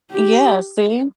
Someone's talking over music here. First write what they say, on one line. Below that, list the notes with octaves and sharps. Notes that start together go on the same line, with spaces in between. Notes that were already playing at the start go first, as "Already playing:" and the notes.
Yeah, see.
G4